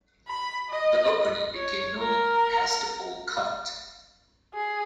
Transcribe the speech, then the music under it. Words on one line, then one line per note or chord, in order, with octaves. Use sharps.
The opening became known as "The Old Cut".
B5
D#5
C#5
A#4
G#4